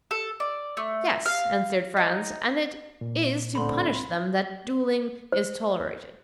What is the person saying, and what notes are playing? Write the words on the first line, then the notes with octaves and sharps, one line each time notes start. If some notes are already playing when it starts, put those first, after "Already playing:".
"Yes," answered Franz; "and it is to punish them that duelling is tolerated."
A4
D5
A3
F5
D#4
A#2
C2 A2 D3 C4 B5 C6
C5